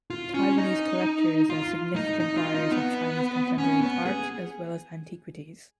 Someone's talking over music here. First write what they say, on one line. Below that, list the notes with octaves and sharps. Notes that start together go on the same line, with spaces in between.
Taiwanese collectors are significant buyers of Chinese contemporary art as well as antiquities.
F4
C#4
D#4
F4
D#4
D#4
F4
D#4
B3
C#4
B3
G#4